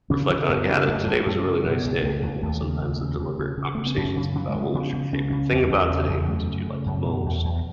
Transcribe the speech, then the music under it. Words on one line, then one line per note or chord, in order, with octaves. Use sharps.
reflect on it, "Yeah, today was a really nice day," and you know, sometimes the deliberate conversations about what was your favorite thing about today, what did you like the most,
C#3 C#4
C#3
F#2 B3
C#3
F#2 A3
F#2
A3
G#3
F#2 A3
C#4
C#3
B2 B3
C#2
C#2 A3
C#2
D#2 A3
C#3
D#2
C#3
C#3
C#3
C#3
C#3 A3
B3
F#2 C#4
C#3
C#3 F#3
G#3
C#3
A3
C#3 B3
C#3
C#2 C#4
C#3 C#4
E2
E2
C#3
E2
F#2 A3
C#3
C#3
F#2
B2
E2
E2